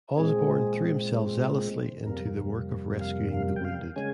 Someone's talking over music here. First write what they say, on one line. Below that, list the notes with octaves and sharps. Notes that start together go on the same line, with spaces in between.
Osborne threw himself zealously into the work of rescuing the wounded.
A#2 G#3 C4 G#4
F2 C3 G3 A#3 A#4
F5
F5
G5
F5
C#3 G#3 C#4 G#5